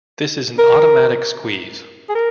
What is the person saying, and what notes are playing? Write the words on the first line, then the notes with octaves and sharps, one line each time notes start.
This is an automatic squeeze.
A#4
G#4
A#4